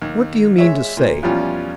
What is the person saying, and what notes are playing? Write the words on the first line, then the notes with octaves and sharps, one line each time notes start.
"What do you mean to say?"
D#2
G#3 C#5 E5
A#2
E2 F3 G3 C#4 F4